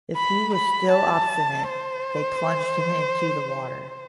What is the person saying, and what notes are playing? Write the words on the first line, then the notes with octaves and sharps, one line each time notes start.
If he was still obstinate, they plunged him into the water.
B5
B5
A5
C5